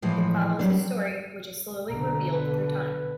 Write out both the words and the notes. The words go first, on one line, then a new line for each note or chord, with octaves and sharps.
It follows a story which is slowly revealed through time.
A2 E3 F3 G#3
F#3 G3 A3 C4 D4
B1 D3 A#5
B4